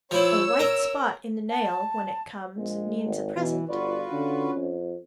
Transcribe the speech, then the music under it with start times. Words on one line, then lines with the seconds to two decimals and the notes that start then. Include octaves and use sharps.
A white spot in the nail, when it comes, means a present.
0.11 F3 E4 C#5 E6
0.60 A#4
1.50 A5
2.57 A#1 G#3
3.04 G#1
3.36 B2 E3
3.69 G1 F4 F#4 B4 D5
4.12 D3 C#4
4.55 F2